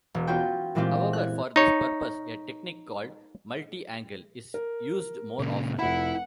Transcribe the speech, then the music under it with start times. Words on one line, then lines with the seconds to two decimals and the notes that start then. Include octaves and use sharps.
However, for this purpose a technique called multi-angle is used more often.
0.15 E1
0.27 B3 C#4 F4 F#4 G5
0.75 A#2 E3 G#3 C4 F4 G4
1.13 F#6 G#6
1.56 D#4 C#5
4.54 A#4
5.39 A#2 C#3
5.79 F1 E4 F#5 B5